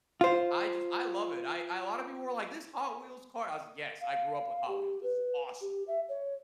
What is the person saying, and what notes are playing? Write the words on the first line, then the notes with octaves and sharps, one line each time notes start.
I just I love it. I I a lot of people were like, "This Hot Wheels car?" I was like, "Yes. I grew up with Hot Wheels. This is awesome."
F4 C5
F5
G4
B4
G4
E5
C#5